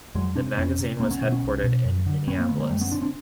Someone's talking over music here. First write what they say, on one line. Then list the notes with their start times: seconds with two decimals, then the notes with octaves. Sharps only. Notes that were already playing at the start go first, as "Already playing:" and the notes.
The magazine was headquartered in Minneapolis.
0.15 F2 F#3 G#3
0.36 C3 C4 D4
0.57 F2 B3 C#4
0.79 C3
1.00 C2 A#3 C4
1.11 B3 C#4
1.21 B2 B3 C#4
1.32 B3 C#4
1.43 C2
1.64 B2
1.85 F#2
2.06 D3
2.28 F#2 B3 C#4
2.38 A#3 C4
2.49 D3 A3 B3
2.60 G#3 A#3
2.70 F#2 G3 A3
2.81 B3 C#4
2.91 C#3 C4 D4
3.02 C4 D4